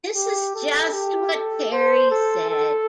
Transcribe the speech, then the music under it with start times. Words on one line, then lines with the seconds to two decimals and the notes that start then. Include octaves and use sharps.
This is just what Perry said.
0.15 G4
0.55 A4
0.93 G4
1.33 A4
1.72 C5
2.11 A4
2.51 A4